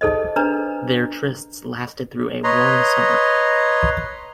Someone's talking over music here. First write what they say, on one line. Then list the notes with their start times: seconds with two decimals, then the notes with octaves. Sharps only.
Their trysts lasted through a warm summer.
0.01 D#4 G#4 A4 C5 D#5
0.36 D4 B4 C5 A#5
2.44 B4 C#5 D#5 A#5 C6